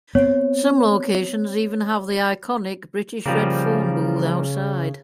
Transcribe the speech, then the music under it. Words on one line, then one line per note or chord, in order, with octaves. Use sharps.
Some locations even have the iconic British red phone booth outside.
B3 C4 C#5
C#3 F3 G3 A#3